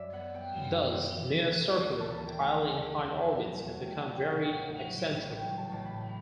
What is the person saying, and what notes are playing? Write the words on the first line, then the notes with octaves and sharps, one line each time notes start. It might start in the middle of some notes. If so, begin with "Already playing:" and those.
Thus, near-circular, highly inclined orbits can become very eccentric.
Already playing: F#2 D5 E5
B3 F#5
B3 G5
F#2
B3
E3
E3
A3
E3
D2
D2 A5
B5
E3 A5
G5
A3 G5
A5
A3
A3
E2 A5
E2 F#5
F#3
E2 F#5
G5
A3
F#5
C#3 G5
F#5
C#3
G5
A1 F#5
G5
A1
F#5
F#3
A1
A1 G5
F#3
A5
A1 A5
B5
A2